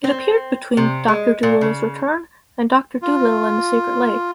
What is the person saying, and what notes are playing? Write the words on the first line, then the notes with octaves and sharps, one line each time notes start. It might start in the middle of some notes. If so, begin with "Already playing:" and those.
It appeared between "Doctor Dolittle's Return" and "Doctor Dolittle and the Secret Lake".
C4
C3
G#3
A#2
C#3
F4